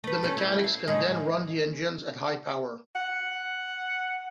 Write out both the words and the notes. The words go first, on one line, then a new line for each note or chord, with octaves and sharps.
The mechanics can then run the engines at high power.
A3 B4
G3 A3 C#4
E4
F5
A2 D3 G#3
F#5